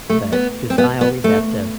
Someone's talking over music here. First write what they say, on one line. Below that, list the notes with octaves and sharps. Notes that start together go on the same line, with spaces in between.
but 'cause I always have to,
A3
B3
C4
B3
B3
A3